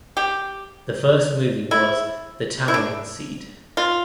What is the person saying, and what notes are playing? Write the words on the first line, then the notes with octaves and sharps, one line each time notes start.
The first movie was "The Tamarind Seed".
G4
E4
E4
D4
F4